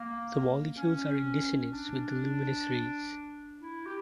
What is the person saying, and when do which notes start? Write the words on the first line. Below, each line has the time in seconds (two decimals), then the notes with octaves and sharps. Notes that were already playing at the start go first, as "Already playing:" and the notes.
The molecules are in dissonance with the luminous rays.
Already playing: A#3
0.77 C#4
1.71 D4
3.62 E4
3.86 G4